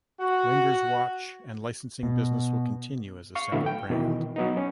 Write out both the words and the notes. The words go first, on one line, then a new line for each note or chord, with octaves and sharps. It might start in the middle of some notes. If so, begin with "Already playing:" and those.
Wenger's watch and licensing business will continue as a separate brand.
F#4
B2
F5 C#6
A2 D3 E3 F#3 E4
G5
B2 D#3 E3
F#3 B3 D#4
C#4